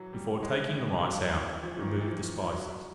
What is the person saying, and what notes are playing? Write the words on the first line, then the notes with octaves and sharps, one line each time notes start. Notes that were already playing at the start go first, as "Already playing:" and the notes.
Before taking the rice out, remove the spices.
Already playing: E3 F#3
G3
G#3
G3
F#3
E3
F3
E3
D#3
E3
E3
F3
F#3